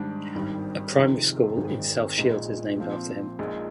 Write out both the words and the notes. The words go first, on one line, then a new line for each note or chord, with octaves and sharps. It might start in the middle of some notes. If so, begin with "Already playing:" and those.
A primary school in South Shields is named after him.
Already playing: G#2 D#3 G3 D4
G#1 G2 D#3 G3
F1 F2 C3 D#3 G#3
G#1 G#2 D#3 G#3
A#1 A#2 G#3 D#4
A#2 F3 C4
A#1 A#2 G#3 D#4